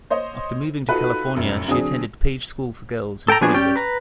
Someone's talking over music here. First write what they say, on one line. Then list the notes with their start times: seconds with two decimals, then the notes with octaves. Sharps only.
After moving to California, she attended Page School for Girls in Hollywood.
0.10 C5 C#5 D#5
0.89 D#4 F4 F#4 A4 B4
1.36 F1 F#2
1.68 D3 F#3 C4 D4 G#4 D#6
3.28 A4 G5 A5 A#5
3.41 F3 B3 D4 F#4 G#4
3.54 C#4 G4 D5 G5
3.76 B4 A#5